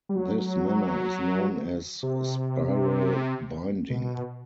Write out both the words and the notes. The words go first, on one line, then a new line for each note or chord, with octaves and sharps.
This manner is known as spiral binding.
G3
F#3
C3
B2